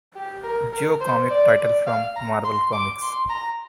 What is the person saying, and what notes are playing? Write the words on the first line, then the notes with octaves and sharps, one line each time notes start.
Joe comic title from Marvel Comics.
G4
A#4
A#4
C5
D5
D5
F5
A#5
C6
D6
C6
A#5